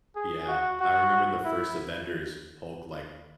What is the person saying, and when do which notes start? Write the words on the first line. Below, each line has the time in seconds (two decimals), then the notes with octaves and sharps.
Yeah, I remember the first Avengers, Hulk, like
0.16 G#4
0.48 F#4
0.80 F#4
1.45 E4